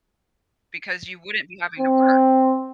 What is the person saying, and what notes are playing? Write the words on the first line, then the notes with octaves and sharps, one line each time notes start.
because you wouldn't be having to work.
C4